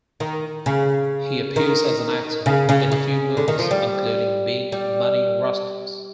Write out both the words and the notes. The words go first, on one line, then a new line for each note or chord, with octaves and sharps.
He appears as an actor in a few movies, including "Big Money Rustlas".
D#3
C#3
D#3
C#3
C#3
C#3
D3
D#3
F3
G3
G3